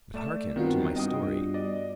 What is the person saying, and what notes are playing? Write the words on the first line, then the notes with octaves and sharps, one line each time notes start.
But hearken to my story.
A3 D5 E7
G2 D#3 B3 C4 F4 F#4
G2 D#5 G5 D#6
D5 D#5